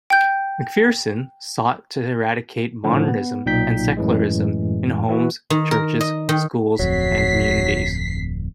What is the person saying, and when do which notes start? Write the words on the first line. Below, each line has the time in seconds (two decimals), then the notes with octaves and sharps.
McPherson sought to eradicate modernism and secularism in homes, churches, schools, and communities.
0.10 G5 G6
2.84 A2 D3 F3
3.08 B3
3.46 B1 A#2 D#4 G5 G6 B6
3.97 F#2 A2 E3 G#3
5.09 E3 E4 F#4
5.50 D#3
5.71 A#4
6.01 D#5
6.29 D#3
6.79 D1 F2 F#3 B6 C7